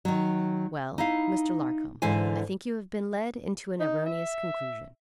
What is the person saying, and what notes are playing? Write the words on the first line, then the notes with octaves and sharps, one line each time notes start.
'Well, Mr. Larcom, I think you have been led into an erroneous conclusion.
D#3 F#3
D#4 E4 F5
G#2 D3 E3 C5 G#5
D#4
E5